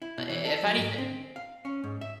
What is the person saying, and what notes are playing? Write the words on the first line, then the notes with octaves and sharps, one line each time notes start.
I if anything.
E4
B2
E3
A4
F#3
G#2
C4
F5
C#4
G#2
E5